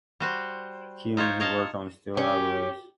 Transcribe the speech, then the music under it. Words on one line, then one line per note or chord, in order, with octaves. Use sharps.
Keeling he worked on steel alloys.
G3 F#4 C5
D#4 F4 C5 C#5
C#5 D#5 F5 A5
C#4 G4